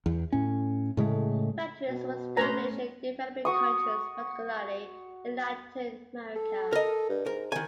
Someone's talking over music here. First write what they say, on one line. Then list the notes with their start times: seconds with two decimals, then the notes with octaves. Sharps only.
Factories were established in developing countries, particularly in Latin America.
0.06 E2
0.33 A2 C#4
0.97 A2 C#3 G#3 A3
1.89 B2
2.37 A3 C#4 B4 C5 A#5
3.45 F#4 C#6 D#6
6.36 A4
6.73 A#4 D#5
7.09 G2
7.26 G#2 A#4
7.52 C2 D#3 G#5